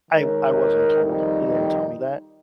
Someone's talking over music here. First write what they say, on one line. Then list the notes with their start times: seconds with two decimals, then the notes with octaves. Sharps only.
I I wasn't told. He didn't tell me that,
0.11 D#3 G#3 D#4 A#4 C#5
1.04 F2 D#3 G3 C4 D#4